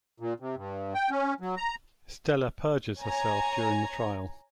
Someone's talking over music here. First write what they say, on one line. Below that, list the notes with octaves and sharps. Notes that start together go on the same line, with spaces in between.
Stella perjures herself during the trial.
A#2
C3
G2
G5
C#4
F#3
A#5
C#5 G#5 A#5